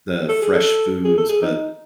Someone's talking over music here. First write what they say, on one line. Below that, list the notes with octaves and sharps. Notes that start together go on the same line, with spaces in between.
the fresh foods, but
A4
G#4
A4
G#4
A4
G#4
D#4